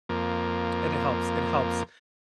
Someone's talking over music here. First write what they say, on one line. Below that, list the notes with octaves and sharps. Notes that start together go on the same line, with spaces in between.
it helps it helps
F2 A#3